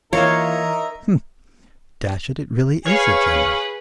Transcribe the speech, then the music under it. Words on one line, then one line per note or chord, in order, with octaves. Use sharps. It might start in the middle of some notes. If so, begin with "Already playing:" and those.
Hm, dash it, it really is a general!
E3 A#3 D#4 F4 A#4 C#5 E5
G#4 B4 C#5 F5 C#6